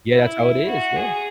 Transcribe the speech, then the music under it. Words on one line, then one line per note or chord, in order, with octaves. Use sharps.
Yeah, that's how it is. Yeah.
E4
F#4
G#4